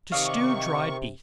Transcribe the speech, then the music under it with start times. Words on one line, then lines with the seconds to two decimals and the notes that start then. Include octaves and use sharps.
To Stew Dried Beef.
0.12 C3 D#3 D5 D#5 F5 C#6